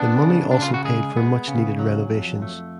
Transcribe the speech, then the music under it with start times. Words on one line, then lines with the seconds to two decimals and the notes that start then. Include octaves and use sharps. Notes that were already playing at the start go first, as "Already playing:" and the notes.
The money also paid for much needed renovations.
Already playing: B3 D4
0.22 C#3
0.51 C#3 D4
0.62 F4
0.74 F#4
0.85 G#3 G#4
1.17 B3
1.48 C#3
1.79 F#3
2.11 F2
2.42 A3